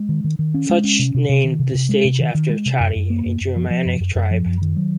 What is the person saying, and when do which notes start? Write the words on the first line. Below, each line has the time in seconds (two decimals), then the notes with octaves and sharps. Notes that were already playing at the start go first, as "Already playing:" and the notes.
Fuchs named the stage after the Chatti, a Germanic tribe.
Already playing: G#3
0.09 D#3
0.24 D#3
0.39 D#3
0.54 C#4
0.70 G#3
0.84 C#4
0.99 C3
1.14 C3
1.29 C3
1.44 D#3
1.59 C3
1.75 C3
1.89 G#3
2.05 C3
2.20 D#3
2.35 D#3
2.49 G#3
2.66 C3
2.80 F#2
2.96 F#2
3.10 A#3
3.26 F#2
3.41 F#2
3.56 F3
3.70 F3
3.85 F#2
4.00 F#2
4.15 F#2
4.31 F3
4.46 F#2
4.62 D#3
4.76 F#3